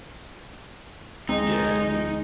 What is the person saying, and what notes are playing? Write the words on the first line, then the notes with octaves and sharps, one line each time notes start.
Yeah, new
D2 G#3 C4 D#4